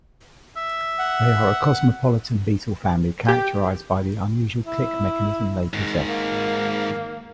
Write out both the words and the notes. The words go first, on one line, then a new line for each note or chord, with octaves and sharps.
They are a cosmopolitan beetle family characterized by the unusual click mechanism they possess.
E5
F#5
G4
E4
G#2 D#3
A#3